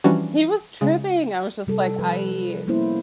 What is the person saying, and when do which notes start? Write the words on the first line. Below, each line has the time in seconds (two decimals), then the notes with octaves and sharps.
he was tripping, I was just like, "I"
0.04 E3 F3 G3 C#4 D4 F#4
0.81 C#3 G#3
1.67 C3 G3 A4
1.99 F3 B4
2.67 G3 A#3 B3 C#4 E4 C5